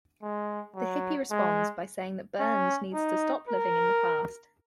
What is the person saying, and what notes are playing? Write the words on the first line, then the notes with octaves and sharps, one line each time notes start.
The hippie responds by saying that Burns needs to stop living in the past.
G#3
F#3
G#3
C#4
D#4
A#4